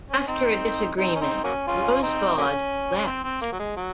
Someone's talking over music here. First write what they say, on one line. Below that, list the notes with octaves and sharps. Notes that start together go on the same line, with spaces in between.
After a disagreement, Rosbaud left.
C#4
C4 D#4
C4 D#4
C#4
C4 D#4
F#3 A#3 C#4
C#4 F4
C4 D#4
F#3 A#3 C#4
C#4
C4
C4
A#3
F#3
G#3
F#3